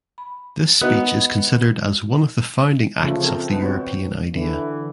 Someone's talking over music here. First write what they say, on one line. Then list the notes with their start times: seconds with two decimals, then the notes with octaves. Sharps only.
This speech is considered as one of the founding acts of the European idea.
0.18 B5
0.81 B3 D#4 F#4
3.01 C#3 F3 A3
3.20 C4 A4 A#4
3.50 B3 D#4
3.63 B3 C4 F#4 C#5
4.32 D3 E3